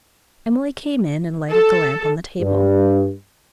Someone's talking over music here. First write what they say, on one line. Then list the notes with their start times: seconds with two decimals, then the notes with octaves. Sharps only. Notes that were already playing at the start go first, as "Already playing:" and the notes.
Emily came in and lighted the lamp on the table.
1.50 A4
2.40 G2